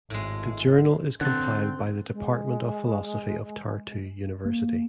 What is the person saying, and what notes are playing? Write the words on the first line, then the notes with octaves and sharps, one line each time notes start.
The journal is compiled by the Department of Philosophy of Tartu University.
G#1 A2 G#3
D3 C4 F#6 A6
G#3
A#3